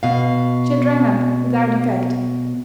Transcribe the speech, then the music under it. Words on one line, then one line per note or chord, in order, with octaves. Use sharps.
She had rung up without effect.
B2 F5